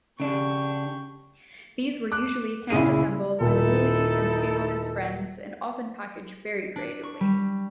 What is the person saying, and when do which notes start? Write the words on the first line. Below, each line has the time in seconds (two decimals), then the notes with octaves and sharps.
These were usually hand-assembled by Mouly's and Spiegelman's friends, and often packaged very creatively.
0.20 C#3 D4 G4 C#6
2.12 D6 F#6
2.70 A#2 C#3 E4 G#4 D#7
3.41 D#1 D#4 E4 A4
6.76 D4
7.03 C#6
7.20 G3